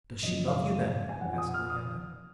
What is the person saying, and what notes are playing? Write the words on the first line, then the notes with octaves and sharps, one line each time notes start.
"Does she love you then?" asked Leander.
F#2 C#3 F3 D#5
F5
G#5
F2 F3 F#5
D#6
F6
D#6